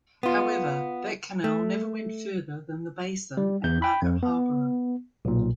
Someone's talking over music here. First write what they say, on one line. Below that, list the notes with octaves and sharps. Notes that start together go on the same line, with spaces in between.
However, that canal never went further than the basin at Market Harborough.
B3 F4
A3
G3
E2 G6
G5 B5
F2
B3
B1 A#2